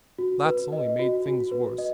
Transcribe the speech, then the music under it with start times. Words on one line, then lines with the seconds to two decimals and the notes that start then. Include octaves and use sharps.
That's only made things worse.
0.18 F#4
0.46 B4
0.72 D#5
0.99 F#4
1.26 F#4
1.52 B4
1.78 D#5